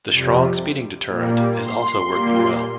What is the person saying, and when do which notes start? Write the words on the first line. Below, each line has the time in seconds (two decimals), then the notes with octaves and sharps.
The strong speeding deterrent is also working well.
0.09 F2 C3 G3
1.08 A#2 G3 A#3
1.58 C6
2.07 A#2 G3 A#3